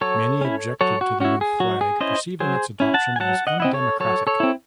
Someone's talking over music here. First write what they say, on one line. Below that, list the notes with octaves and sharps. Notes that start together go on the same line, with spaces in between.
Many objected to the new flag, perceiving its adoption as undemocratic.
F#3 A4 C#5
C#4 E4
F#3 A4 C#5
F#4
C#4 E4 F#4
G#4
F#3 F#4
G#4
C#4 E4 C5 D#5
F#3 G#4 C5
C#4 E4
F#5 A5
G#5
F#3 F#5 A5
D#5 F#5
C4 E4 D#5
A4 C#5
F#3 A4 C#5
A4 C#5
C4 E4